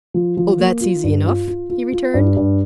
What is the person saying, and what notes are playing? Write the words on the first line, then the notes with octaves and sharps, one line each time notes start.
"Oh! that's easy enough," he returned.
F3
F3
A#3
F4
G2
F4
F4
F4
F4
G2
G2